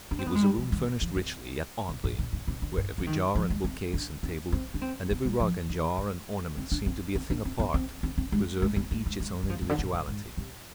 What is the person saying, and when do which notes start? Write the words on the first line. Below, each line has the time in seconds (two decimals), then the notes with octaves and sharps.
It was a room furnished richly, yet oddly, where every jar and bookcase and table, and every rug and jar and ornament seemed to be a thing apart, preserving each its own individuality.
0.11 D4
0.19 C4
0.26 B3
0.35 G#3
0.43 G3
0.57 F3
0.72 D#3
1.01 F3
1.16 C3
1.89 B2
2.04 G#2
2.19 B2
2.33 B2
2.48 C3
2.62 D3
2.77 G2
2.98 F3
3.07 D#3
3.35 F3
3.50 G#3
3.64 C4
3.94 D4
4.23 C4
4.52 C4
4.74 D4
4.81 C4
5.11 B3
5.25 G3
5.40 F3
5.69 D3
5.98 G#3
6.57 C4
6.72 D4
6.86 C4
7.15 C4
7.30 D4
7.45 C4
7.59 B3
7.74 C4
8.03 C4
8.18 C4
8.32 G#3
8.62 G#3
8.76 B3
8.91 G#3
9.06 G#3
9.20 G#3
9.43 G3
9.49 F3
9.62 C3
9.69 D3
9.79 B2
9.93 G2
10.08 G#2
10.37 C3